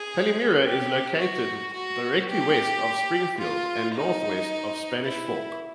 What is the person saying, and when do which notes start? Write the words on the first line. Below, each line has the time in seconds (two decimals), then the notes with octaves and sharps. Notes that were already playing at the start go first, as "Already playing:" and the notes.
Palmyra is located directly west of Springville and northwest of Spanish Fork.
Already playing: G#4
0.63 G4
1.18 F#4
1.73 F#4
2.29 G4
3.38 F4
3.94 D#4
5.04 E4